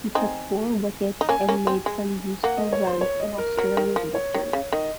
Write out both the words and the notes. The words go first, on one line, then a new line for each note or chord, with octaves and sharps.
He took four wickets and made some useful runs in Australia's victory.
C4 D#4 G#5
D#4
A#3 C#4 G#5
A#3 C#4
C4
G#3
A#3 F#5
D#5
C#5
C5
C#5
D#5
A#4
F#3 A#4
D#3
F3
C#5
D#3
C#3
D#3 D#5